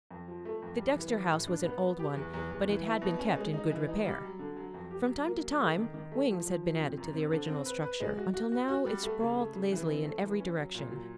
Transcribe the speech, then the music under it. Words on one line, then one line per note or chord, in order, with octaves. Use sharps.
The Dexter house was an old one but it had been kept in good repair. From time to time, wings had been added to the original structure, until now it sprawled lazily in every direction.
F2
F3
A3
F2
G3
E3
G3
A2
D4
B3
B3
G4
E2
E2
E2
E3
E4
B2
C#4
G#3
D#4
E3
D#4
G3
F#3
D3
F#3
F2
G4
F#3
A#3
F#3
A3
D#3
D#3
A3
F3
F3
F3
C3
F#2
C4
D3
C4
B4
B4
G#3
F#4
F#4
F#4
F#4
G3
A3
C#3
A3
C#3
E3
C4
A3
E3
C#4
F#3
A#2
F#3